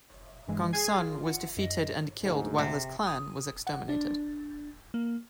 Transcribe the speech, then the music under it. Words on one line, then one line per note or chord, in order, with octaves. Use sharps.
Gongsun was defeated and killed while his clan was exterminated.
G2 E3 G#3
G#4 G#5 G#6 C7
F4 G#4
F#5
F#2 D#5
D2 G#2
C3
D#6
F#5
D4
A#3